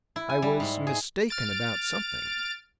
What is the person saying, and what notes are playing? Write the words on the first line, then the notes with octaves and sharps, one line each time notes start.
I was "mistaken" about something.
E4
G#5
G3
G#2
G#4
F6 A6 D7